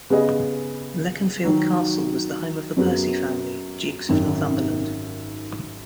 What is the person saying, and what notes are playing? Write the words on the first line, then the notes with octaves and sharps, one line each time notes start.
Leconfield Castle was the home of the Percy family, Dukes of Northumberland.
C#3 B3 G#4 D#5
D#3 F#3 D#4 F#4
F#2 F#3 B3 G#4
G#1 F#2 D#3